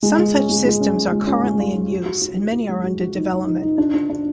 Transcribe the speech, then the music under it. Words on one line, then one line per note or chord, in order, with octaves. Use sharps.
Some such systems are currently in use, and many are under development.
G#3
G#3
C#4
G#3
G#3
C#4
C#4
G#3
C#4
G#3
F4
F4
F#4
F#4
F#4
F#4
F#4
G#3
F#4
F#4
D#4
D#4
D#4
D#4
D4
D4
D4